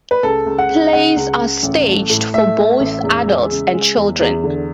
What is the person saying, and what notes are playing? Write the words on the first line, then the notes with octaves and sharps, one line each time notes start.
Plays are staged both for adults and children.
B4
C#2 A4
C#2
F#5
C#3
C#3 F#5
C#2
C#2
A1
A3
A2
A3 E5
A3
A1
E2
G#3
C#3
G#3
E2
E2
D3